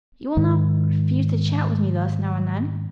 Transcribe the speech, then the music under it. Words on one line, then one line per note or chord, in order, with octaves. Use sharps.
"You will not refuse to chat with me thus now and then?"
G#2 D#3